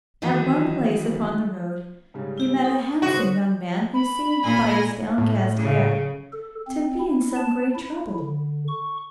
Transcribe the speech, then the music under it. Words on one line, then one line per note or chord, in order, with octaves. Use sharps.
At one place upon the road he met a handsome young man who seemed by his downcast air to be in some great trouble.
D#3 E3 F#3 D#4 E4
G#2 C#3 G3
E4 G4
A4 D#6
G#5
C#3 F#4 C5 C6 D#6 D#7
D3 B4 C#5
B5
A#2 G#5 A#6
A2
C#3
A4
C4
E4
A5
E4
D3
C#6